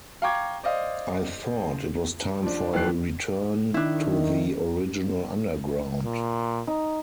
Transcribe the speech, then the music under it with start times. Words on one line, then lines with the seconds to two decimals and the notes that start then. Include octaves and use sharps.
I thought it was time for a return to the original underground.
0.22 F5 G5 A#5 C#6 D6 G#6
0.63 C5 D5 D#5 F5
2.43 F3 D4
2.73 D#2 E3 F#3 F#6 C7
3.74 D#3 D4 E4
6.05 A#2
6.67 D#4